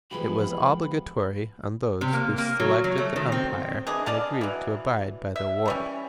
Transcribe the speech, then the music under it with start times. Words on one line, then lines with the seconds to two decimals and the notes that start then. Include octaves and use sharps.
It was obligatory on those who selected the umpire and agreed to abide by the award.
0.11 E3 F3 G#3 B3 G4 B5
2.01 C3
2.13 A#3
2.38 A#3
2.60 F#3
2.84 F#3
2.98 A3
3.16 D#3
3.32 C4
3.87 E3 G#3 D4 G#4
4.06 D5 D#5 F5 A5
4.41 E3 F#3
5.36 E5
5.66 E3 G3 C#4